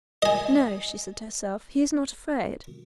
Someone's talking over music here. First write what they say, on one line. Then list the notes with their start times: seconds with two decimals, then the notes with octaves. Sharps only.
"No," she said to herself, "he is not afraid."
0.22 D#5 G#5